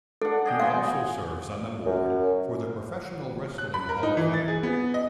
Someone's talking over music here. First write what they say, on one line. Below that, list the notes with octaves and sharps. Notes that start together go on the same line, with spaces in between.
He also serves on the board for the Professional Wrestling Hall of Fame.
D4 A4 F#5
G#4 D#5 G5
G#3 B3 F#4 F5
F#2
F#6
B5
A#4
D#4
E3
A6
G#4
B3
D#5